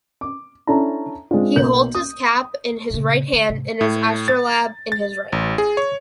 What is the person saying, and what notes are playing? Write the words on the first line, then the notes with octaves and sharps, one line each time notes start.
He holds his cap in his right hand and his astrolabe in his right.
D6
C#4 D4 E4 A4 A5 A#5
G#3 C4 D4 F4
B1 A#3 B3 G6 F#7
D#6
A#2 C#3
D3
G#2 C3
A2
A6
A6
A1
G#4
C#5